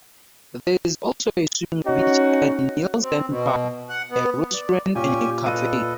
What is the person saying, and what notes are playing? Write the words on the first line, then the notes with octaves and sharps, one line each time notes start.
There is also a swimming beach at Nielsen Park, a restaurant and a cafe.
C#4 D#4 F#4
C4
B2
F#5
B3
D5
A#2 C#4 G4 G#5
A#2 A4 B4 D#5 D#7